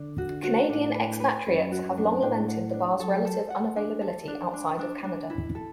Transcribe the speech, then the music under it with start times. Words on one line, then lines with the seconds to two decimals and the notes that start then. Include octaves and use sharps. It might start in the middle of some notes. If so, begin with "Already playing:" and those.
Canadian expatriates have long lamented the bar's relative unavailability outside of Canada.
Already playing: D3 D4
0.18 F#4
0.43 F#4
0.69 A2 D4
0.94 B4
1.20 B4
1.46 F#2 B4
1.72 F#4
1.85 F#2
1.97 D4
2.22 A2 D4
2.48 F#5
2.74 D4
3.00 F#3 A4
3.25 A4
3.50 F#5
3.76 D4
4.01 A4
4.27 D4
4.53 D4
4.79 D4
5.04 D4
5.30 E4
5.55 A4